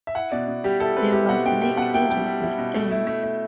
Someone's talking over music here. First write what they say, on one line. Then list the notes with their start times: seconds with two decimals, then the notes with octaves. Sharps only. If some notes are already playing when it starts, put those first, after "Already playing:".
There was little resistance.
0.07 E5
0.15 E4 F#5
0.32 B2 D5
0.48 B2
0.64 G3 G4
0.80 E4 A4
0.96 C4 B4
1.12 E4 G4
1.29 B2 F#5
1.45 B2 G5
1.61 G3 G5
1.77 B2 F#5
1.94 E4 G5
2.10 G3 G5
2.26 G3
2.42 E4
2.58 B2
2.75 A3
2.91 E4
3.07 A3
3.23 A3